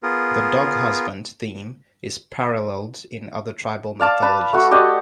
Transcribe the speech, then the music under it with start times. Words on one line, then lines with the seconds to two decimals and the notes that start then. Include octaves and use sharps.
The "Dog Husband" theme is paralleled in other tribal mythologies.
0.03 B3 F4 G#4 A#4
3.99 D5 F5 A5 D6
4.22 B4 A5 B5
4.53 A3 F#4 C#6
4.71 G4 D5 D#5 F#5